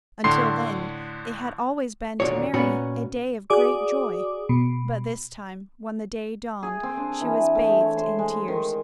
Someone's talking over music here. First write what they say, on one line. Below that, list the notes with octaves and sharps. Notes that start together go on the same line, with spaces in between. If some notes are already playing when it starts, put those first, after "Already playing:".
Until then it had always been to Mary a day of great joy, but this time, when the day dawned, she was bathed in tears.
A2 D3 C6 C7
D#2 A#2 D3 F#3 F#4 C#5
A#2 B3 C#4 F#4 C#5 B5
F#4 G#4 D5 D6 D#6
B2
G#4
C4
D4
E3
A3
C#5
C5
G#3
D#3